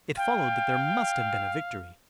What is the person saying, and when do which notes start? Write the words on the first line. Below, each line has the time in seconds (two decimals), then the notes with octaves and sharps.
It followed that there must have been a victory.
0.17 F5 G5